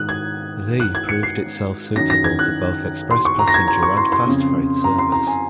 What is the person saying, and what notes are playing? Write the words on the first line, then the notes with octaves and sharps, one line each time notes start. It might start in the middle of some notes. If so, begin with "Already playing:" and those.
The proved itself suitable for both express passenger and fast freight service.
Already playing: G#2 D#3 D#6 F#6
G#6
F#6
G#6
C#7
C7
F#2 D#3 A#6
A#6
G#6
F#6
C6
C#6
A#5
A#6
G#6
A#5
C#6
C6
C6
F2 C#3
A#5
C6
A#5
G#5